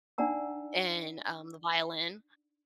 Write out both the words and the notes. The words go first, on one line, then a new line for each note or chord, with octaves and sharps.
and, um, the violin.
D4 D#4 D5 F#5 A#5 E6